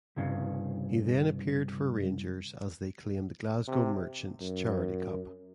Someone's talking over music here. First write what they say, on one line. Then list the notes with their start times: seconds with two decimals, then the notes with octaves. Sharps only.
He then appeared for Rangers as they claimed the Glasgow Merchants Charity Cup.
0.16 C2 G2 C#3
3.68 C3
4.41 F#2